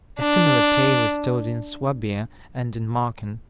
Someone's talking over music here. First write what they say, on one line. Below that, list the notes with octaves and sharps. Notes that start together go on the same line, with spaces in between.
A similar tale is told in Swabia and in Marken.
D4